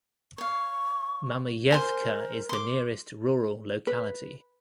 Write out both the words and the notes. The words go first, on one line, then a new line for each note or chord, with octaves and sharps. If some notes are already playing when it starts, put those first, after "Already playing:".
Mamayevka is the nearest rural locality.
C#5 F5 C#6
A#4 C5 G#5 C6
C6 D6
B4